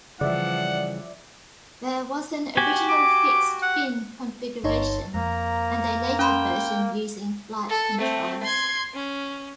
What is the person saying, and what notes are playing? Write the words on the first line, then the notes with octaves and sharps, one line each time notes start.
There was an original fixed-fin configuration and a later version using flight controls.
C#3 E3 F3 G3 D5 E5 F#5
F#4 G4 G#5
D6
F#5
G1 D#4 A4 C#5 C6
F2 A#3 A#5
C#4 G5 B5 C6
A4
A3 C4
C6 G#6
C#4